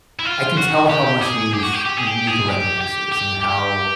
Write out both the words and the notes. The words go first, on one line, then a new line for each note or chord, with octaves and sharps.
I can tell how much you've you you can recognize this and how
E4
F4
F#4
G4
G#4
G4
F#4
G4
G4
G#4
G4
G#4
G4
G4
G4
G4